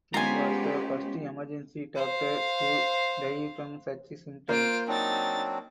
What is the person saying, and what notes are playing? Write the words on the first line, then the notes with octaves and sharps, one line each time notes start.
He was the first emergency doctor to die from such symptoms.
G#3 B3 C#4 F4 G4 C5 G#5 A#5
C5 F5
A#3 F4 C5 D7
F#3 C4 D4 D#4 A6